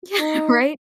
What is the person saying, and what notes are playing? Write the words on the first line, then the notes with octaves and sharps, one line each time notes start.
Yeah, right?
D#4